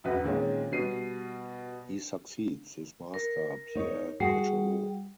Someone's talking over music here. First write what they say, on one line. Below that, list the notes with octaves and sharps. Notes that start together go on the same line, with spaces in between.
He succeeds his master Pierre Cochereau.
E1 F#2 F#4 B4
A#2 D#3 G#3 C4 C#4
B2 G3 C7 D#7
A#4
D#4 C#5
G3 F#4 G#4